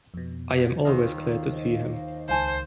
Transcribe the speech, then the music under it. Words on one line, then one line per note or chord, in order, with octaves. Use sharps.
I am always glad to see him.
F2 B2
D#2 D#4 C5 D#5 F5
C#2 C5 F5 G#5 A5